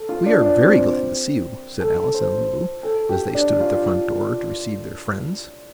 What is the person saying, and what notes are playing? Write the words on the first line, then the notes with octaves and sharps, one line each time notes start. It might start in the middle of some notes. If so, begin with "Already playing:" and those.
"We are very glad to see you," said Alice and Lulu, as they stood at the front door to receive their friends.
Already playing: A4
F4
D4
D4
C4
A4
A4
C5
A4
G4
D4
F4